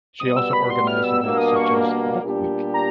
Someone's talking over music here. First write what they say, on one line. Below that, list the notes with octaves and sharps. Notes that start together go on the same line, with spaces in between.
She also organized events such as Book Week.
B2 G3 B3 D#6
E6
B5
C6
F6
E6
B2 G3 A#3 D4 E6
D#6
C#6
A#2 G3 B3 D4 G4
A#5